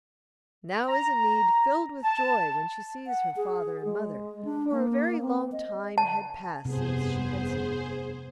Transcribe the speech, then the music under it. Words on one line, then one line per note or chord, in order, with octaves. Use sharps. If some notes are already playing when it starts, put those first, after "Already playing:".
Now is Enide filled with joy when she sees her father and mother, for a very long time had passed since she had seen them.
A#5
A5
F#5
G#4
G#3
D4
A#3
C4
D#5
A5
F1 G2 C3 B3 G#4 C5